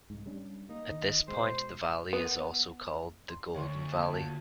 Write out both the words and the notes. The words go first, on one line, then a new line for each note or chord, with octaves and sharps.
At this point the valley is also called the Golden Valley.
C2 G#2
G3 C#4 D4
A#3 D#4
D#3
B2 G#3 C5
B3
C6
D2 C#5 C6 C#6
D#2 F4 A5